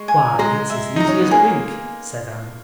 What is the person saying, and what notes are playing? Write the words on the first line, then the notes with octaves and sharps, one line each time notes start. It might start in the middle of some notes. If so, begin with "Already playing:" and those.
"Why, it's as easy as wink," said Anne.
Already playing: G#3 C#6
G#5
G#3 A#5
E5
D#4 A#5
C#4
B3
A#3 G#4